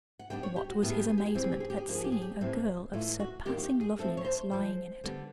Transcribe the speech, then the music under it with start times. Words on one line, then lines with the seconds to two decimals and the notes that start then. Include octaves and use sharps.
What was his amazement at seeing a girl of surpassing loveliness lying in it!
0.19 F#5
0.30 D3 G3 B3 D4 G5
0.43 C#5
0.56 G4
0.69 F#4
0.82 A2 E3 G3 B3 G4
0.91 G#4
1.00 G4
1.09 G#4
1.18 G4
1.26 G#4
1.34 E3 G3 C4 G4
1.44 G#4
1.52 G4
1.60 G#4
1.70 G4
1.78 G#4
1.86 F3 A#3 D4 G4
1.95 G#4
2.04 G4
2.12 G#4
2.22 G4
2.41 A2 E3 G3 C4
2.93 A2 E3 A3 F4
3.20 F#4
3.45 D#3 G3 A#3 G4
3.58 F#4
3.63 G4
3.81 G#4
3.99 F3 A3 C4 A4
4.17 C#5
4.25 C5
4.51 D3 F3 G#3 C5
5.04 D3 G3 B3 D4